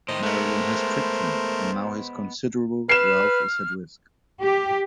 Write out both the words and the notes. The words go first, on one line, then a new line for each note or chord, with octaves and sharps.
Marylin has tricked him, and now "his" considerable wealth is at risk.
A2 D#3 C5 D#5
G#3 A3 B3 A#4
B4 F6 C7 E7
G4